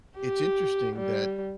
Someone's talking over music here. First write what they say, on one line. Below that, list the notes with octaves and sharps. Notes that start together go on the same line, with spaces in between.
it's interesting that,
G4
G3